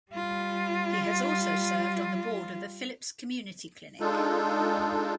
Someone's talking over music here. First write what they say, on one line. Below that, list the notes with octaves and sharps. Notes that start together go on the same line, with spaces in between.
He has also served on the board of the Phillips Community Clinic.
G3 F4
G#3 D4 D#4 F4 A4